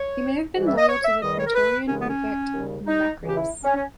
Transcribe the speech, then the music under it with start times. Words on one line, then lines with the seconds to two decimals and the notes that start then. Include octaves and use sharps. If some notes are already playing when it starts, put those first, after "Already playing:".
He may have been loyal to the praetorian prefect Macrinus.
Already playing: C#5
0.55 G#2 E3 G3
0.66 E5
0.77 D#5
0.88 C#5
1.04 E5
1.21 E2 D#3 G3 D#5
1.38 C#5
1.46 A#4
1.54 B4
1.87 D#2 C#3 E3 G#3 C#4
1.99 B3
2.09 C#4
2.53 D#2 C#3 G3
2.87 D#4
3.19 C#2 C#3 E3
3.28 G4
3.36 E4
3.64 C#4
3.75 C#4